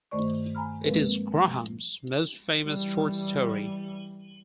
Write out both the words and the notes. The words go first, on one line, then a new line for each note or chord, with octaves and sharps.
It is Grahame's most famous short story.
G2 D#3 A3 C5 D5 C#6
G#5 A#5 B5 F6
F3 G#3 A#3 C4 A#4 B4
F3
E3 G3